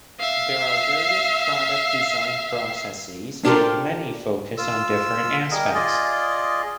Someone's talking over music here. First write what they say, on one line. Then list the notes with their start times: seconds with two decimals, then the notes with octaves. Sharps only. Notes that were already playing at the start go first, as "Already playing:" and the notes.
There are various product design processes and many focus on different aspects.
0.20 E5 F5
3.45 D4 F4 G4 A4 A#4 C5
4.58 F4 E6
5.51 G3 G#4 A#4 D#5
5.74 F4 G#4 D5 D#5